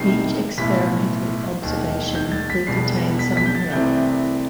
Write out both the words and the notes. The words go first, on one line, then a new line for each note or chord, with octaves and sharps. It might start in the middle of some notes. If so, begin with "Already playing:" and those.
Each experimental observation will contain some error.
Already playing: E1 E2 C3 D#3 G3 C7
B1 A2 E3 B6
E1 D#2 D#3
G6
A6
B6
E1 E2 B2 G3 C7
B6
B6
G6
A6
C2 C3 E3 A3 C4 G6